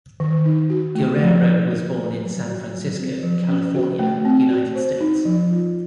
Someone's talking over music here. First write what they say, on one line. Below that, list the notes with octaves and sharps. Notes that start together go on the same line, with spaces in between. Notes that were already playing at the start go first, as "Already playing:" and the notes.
Guerrero was born in San Francisco, California, United States.
D#3
D#4
F#4
A3
F3
D#4
A#4
A3
F#3
F#4
F#3
C4
F3
C#4
F#4
A3
C4
F#4
C5
D#4
F3
F4